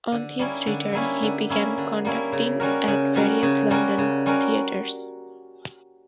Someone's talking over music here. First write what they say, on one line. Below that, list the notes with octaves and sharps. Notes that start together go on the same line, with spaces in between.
On his return he began conducting at various London theatres.
D3
G3 A#3 C#4 E4
D3
G3 A#3 C#4 E4
D3
G3 A#3 C#4 E4
D3
G3 A#3 C#4 E4
C#3
G3 C#4 F#4 A#4
C#3
G3 C#4 F#4 A#4
C#3
G3 C#4 F#4 A#4
C#3
G3 C#4 F#4 A#4